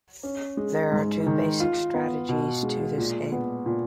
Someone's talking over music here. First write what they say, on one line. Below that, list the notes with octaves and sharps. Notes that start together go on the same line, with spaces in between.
There are two basic strategies to this game.
C#4
G#3
G#2
D#3
F4
B3
B2
G#3
A#2
B3
A#2